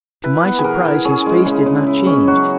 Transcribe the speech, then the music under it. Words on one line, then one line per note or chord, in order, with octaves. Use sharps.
To my surprise his face did not change.
E4 B4
B3
G#4
E3 A#4
E3
C#4 G#4
G#3
C#3
C#3
E4
C#4
F#3 F#4